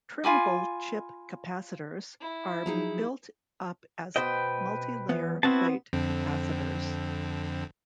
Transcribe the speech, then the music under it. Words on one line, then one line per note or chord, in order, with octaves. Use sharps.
Trimmable chip capacitors are built up as multilayer plate capacitors.
F4 G#5 B5 D6
E4
F3 F#3 D#4 G#4 A#5
B2 B4 C5 D#5 G5
E2 B3
B3 C4 E4 F#4 C5 A5
F2 D3 C4